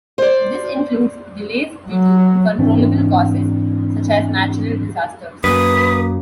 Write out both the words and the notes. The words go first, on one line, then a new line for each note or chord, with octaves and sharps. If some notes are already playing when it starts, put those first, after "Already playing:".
This includes delays due to uncontrollable causes, such as natural disasters.
C5 D5
F#3
G#2 E3 C4 D4
F#2 A#3 B4 D#6